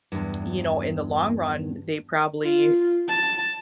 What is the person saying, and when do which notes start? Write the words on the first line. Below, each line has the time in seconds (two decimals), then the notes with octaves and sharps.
you know, in the long run, they probably
0.12 E2 G2
2.43 F4
3.08 A5